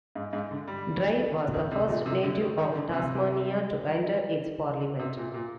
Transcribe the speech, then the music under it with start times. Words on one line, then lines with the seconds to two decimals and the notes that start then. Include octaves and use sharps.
Dry was the first native of Tasmania to enter its parliament.
0.15 G#2
0.33 G#2
0.51 D3
0.68 G3
1.54 D#3
1.71 C3
1.88 A#2
2.06 C3
2.23 D3
2.40 D#3
2.58 D#3
2.75 D3
2.92 C3
4.99 C3
5.17 A#2
5.34 A#2